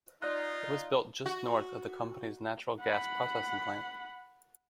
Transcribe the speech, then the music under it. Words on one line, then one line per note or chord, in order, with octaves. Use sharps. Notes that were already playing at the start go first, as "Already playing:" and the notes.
It was built just north of the company's natural gas processing plant.
D#4 F4 D5 F#6
F#4
F#5 B5